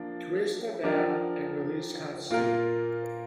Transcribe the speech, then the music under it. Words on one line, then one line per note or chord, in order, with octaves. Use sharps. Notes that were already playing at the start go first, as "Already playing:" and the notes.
Twist the valve and release hot steam.
Already playing: F3 A#3 D4
F3 D4 G4 A#4
A#2 A#3 F4 A#4